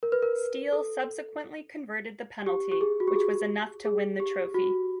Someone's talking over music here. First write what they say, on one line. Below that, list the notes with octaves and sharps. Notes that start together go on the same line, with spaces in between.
Steel subsequently converted the penalty, which was enough to win the trophy.
A#4
B4
A#4
A4
G4
G4
G#4
F#4
G4
G#4
G#4
G4
F#4